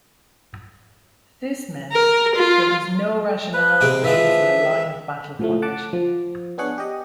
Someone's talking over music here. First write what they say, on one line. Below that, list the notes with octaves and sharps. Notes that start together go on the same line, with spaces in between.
This meant there was no rationale for using a line-of-battle formation.
A#4
F4
B4
C3 G#3 C4
E3 F3 G#3 E5
A2 F3 A3
F#5 A5 D6
F3
B3 D4 G#4 C#5 F#5
G4 D#5